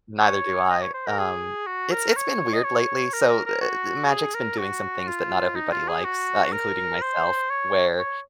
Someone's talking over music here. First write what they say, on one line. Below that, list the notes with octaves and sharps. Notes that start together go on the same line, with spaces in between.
neither do I. Um it's it's been weird lately. So, uh uh, Magic's been doing some things that not everybody likes, uh, including myself, where
C#5
D#5
C#5
C5
A#4
G#4
F#4
A#4
C#5
D#5
C#5
A#4
A#4
A#4
F#4
G#4
A#4
F#4
F4
D#4
F4
G#4
F#4
A#4
C5
C#5
C#5